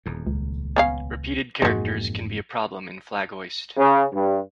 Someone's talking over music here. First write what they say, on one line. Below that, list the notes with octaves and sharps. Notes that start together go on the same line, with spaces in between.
Repeated characters can be a problem in flaghoist.
D#1 E2
C#2
B3 C#4 F5
E1 F2 G#2 G#3 A#3 F#4
C#3
G2